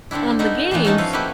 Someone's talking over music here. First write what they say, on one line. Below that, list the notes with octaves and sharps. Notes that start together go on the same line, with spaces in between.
on the games
D3 A3 C4 D4 E4
A3 B3 D#4 E4
E3 F3 G3 A#3 B3
A3 C#4 D#4 A5
F3 E4 A4 B4 F5
A3 A#3 E4 F#4 G4 B4